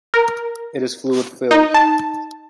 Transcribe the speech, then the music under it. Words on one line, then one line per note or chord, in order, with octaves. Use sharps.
It is fluid filled.
A#4
D#4
A5